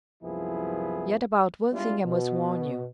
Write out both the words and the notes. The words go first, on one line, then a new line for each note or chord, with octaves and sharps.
Yet about one thing I must warn you.
C2 F#2 F3 B3 E4 G#4
G3 G#3 B3 D4 E4 F4
B2